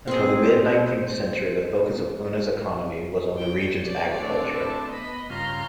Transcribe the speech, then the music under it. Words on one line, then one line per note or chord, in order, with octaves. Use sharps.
Until the mid-nineteenth century the focus of Unna's economy was on the region's agriculture.
C4 G#4 C5
G5
C#5 D5
A3 C4 D4
E4 A5
B3 D#5 B5
G2 C#3 F4 A#5 C6